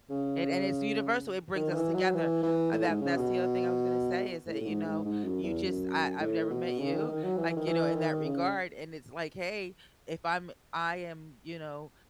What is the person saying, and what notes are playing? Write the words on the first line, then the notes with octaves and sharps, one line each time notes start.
And and it's universal, it brings us together. Uh, that that's the other thing I was gonna say, is that, you know, you just I I've never met you, like, you know, in that regard, and it's like, "Hey," if I'm I am, you know,
C#3
D#3
D#3
E3
F#3
E3
E3
A2
G#2
C#3
B2
A2
A2
G#2
G#2
G#2
F#2
E2
F#2
A2
B2
C#3
D#3
D#3
F#3
E3
D#3
E3
D#3
C#3